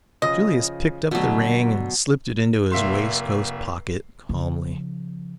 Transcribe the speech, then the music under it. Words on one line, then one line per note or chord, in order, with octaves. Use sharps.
Julius picked up the ring and slipped it into his waistcoat pocket calmly.
C#3 F3 D#5 D#6
B2 D3 F#3 A3
F1 A#3 E5 C6
C#3 F3